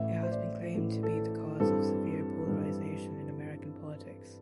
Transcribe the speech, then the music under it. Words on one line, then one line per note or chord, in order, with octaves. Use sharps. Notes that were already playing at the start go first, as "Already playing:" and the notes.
It has been claimed to be the cause of severe polarization in American politics.
Already playing: A1 A2 E3 A3 E5
C5
D5
A1 A2 E3 A3
A4
G2 E3 G3 C4 A4
G2 E3 G3 C4